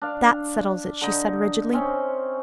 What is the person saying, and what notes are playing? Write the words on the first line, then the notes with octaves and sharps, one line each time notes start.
"That settles it," she said rigidly.
D4 F5
D3 D#4
C4 C#4